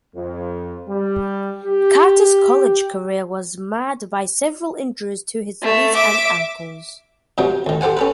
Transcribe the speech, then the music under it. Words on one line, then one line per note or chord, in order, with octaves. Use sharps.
Carter's college career was marred by several injuries to his knees and ankles.
F2
G3
G4
A3
E5 D6
G2 C3 F3 F#3
D2 D#3
G4 A4 C5 F#5 G#5
C#4 A4 B4